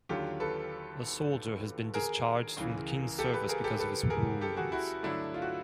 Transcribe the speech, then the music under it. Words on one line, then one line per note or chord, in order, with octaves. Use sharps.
A soldier has been discharged from the king's service because of his wounds.
D#2 D3 F#3 F4 G4
A4 B4
G#4 A#4
C#2 C#3 E3
G4 A4
A4 B4
G#4 A#4
G4 A4
A4 B4
G#4 A#4
G4 A4
F#4 G#4
E4 F#4
G2 D3 F#3 A3 D4 E4
F4
F#4